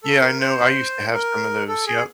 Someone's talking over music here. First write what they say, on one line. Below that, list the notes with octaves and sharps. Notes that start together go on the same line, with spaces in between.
Yeah, I know, I used to have some of those, yup.
A4
A#4
C5
A#4
A4
G#4